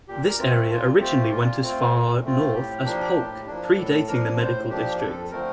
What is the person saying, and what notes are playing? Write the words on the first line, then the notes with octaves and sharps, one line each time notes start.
This area originally went as far north as Polk, pre-dating the Medical district.
A#2 G4
A#4
A3 C4 F4
A4
A#2 F4
A3 C4 F4 G4
A#2 F4
A3 C4 F4
A#2
A3 C4 F4
A2 G4
F3 A#3 D4
A2
F3 A#3 D4
A2 A4
F3 A#3 D4 A#4
A2 C5
F3 A#3 D4 G4
F2 A4
D3 F3 A3 C4 A#4